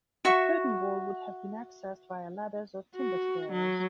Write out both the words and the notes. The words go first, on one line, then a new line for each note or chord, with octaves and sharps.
The curtain wall would have been accessed via ladders or timber stairs.
F#4 E5 C#6
F#4
F#3